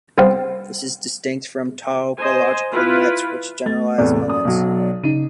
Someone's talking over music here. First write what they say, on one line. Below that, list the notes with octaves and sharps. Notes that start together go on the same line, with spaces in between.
This is distinct from topological nets which generalise limits.
C2 B3 C4 F5 G5
C5 D#5 G#5
E4 F4 B4
A3 A6
E2 A2 C3 D5
F#2 D#6
B1 F#3
C#3 D#4 D#7